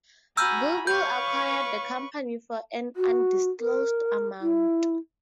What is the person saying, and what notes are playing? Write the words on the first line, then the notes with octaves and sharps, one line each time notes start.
Google acquired the company for an undisclosed amount.
F#4 G#5 A#5 B5 E6 F6 G6
B4 C#5 F5 C#6 G6
F#4
A#4
E4